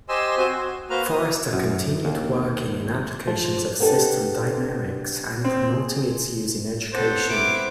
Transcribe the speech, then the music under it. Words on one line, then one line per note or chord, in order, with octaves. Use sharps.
Forrester continued working in applications of system dynamics and promoting its use in education.
G4 C5 D#5 G#5 C6 E6
C4 F#4 C5 G#5
F#4
A#3 F#4 B4 C5 A#5 F6
D#6
F#2
D#2
F3
B3 D4 G4 A4
C4
G#4
B3 C4 A4 C5
E4 D6